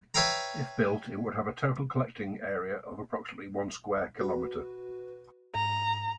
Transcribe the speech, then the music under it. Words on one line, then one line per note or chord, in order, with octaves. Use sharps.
If built, it would have a total collecting area of approximately one square kilometre.
B4 C#5 E5 F5 G5 A#5
F#4 B4
G#2 A#5